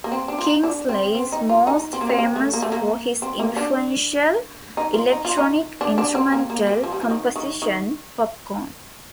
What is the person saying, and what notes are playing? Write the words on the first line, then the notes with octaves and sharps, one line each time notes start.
Kingsley is most famous for his influential electronic instrumental composition "Popcorn".
A#3
C4
D4
F4
D#4
D4
C4
C4
D#4
F4
D#4
C4
A#3
C4
A#3
A3
A#3
A3
A#3
C4
A#3
D4
D#4
F4
D#4
F4
D#4
D4
D4
C4
A#3
A#3
G3
F3
G3
F3
D#3
D#3
D#3